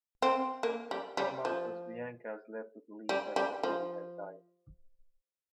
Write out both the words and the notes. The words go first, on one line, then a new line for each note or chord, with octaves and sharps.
For months, Bianca is led to believe that her baby has died.
C4
A#3
G3
G3
F3
G3
G3
F3